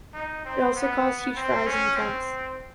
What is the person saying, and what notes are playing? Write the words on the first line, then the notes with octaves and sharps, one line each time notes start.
It also caused huge fires in the tents.
D#4
C4
B3
C4
C#4
C4